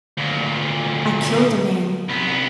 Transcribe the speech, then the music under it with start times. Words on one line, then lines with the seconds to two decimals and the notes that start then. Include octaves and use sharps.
I killed a man.
0.17 D2 A#2
2.08 C2 B3